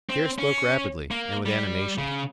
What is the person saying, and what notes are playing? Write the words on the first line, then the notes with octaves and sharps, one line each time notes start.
Pierre spoke rapidly and with animation.
C4
C#4
A#3
G3
C#3